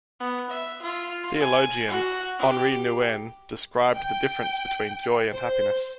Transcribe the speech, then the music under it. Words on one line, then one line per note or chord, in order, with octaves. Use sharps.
Theologian Henri Nouwen described the difference between joy and happiness.
B3
E5
F4
G#5
F#4
G4
G5
C5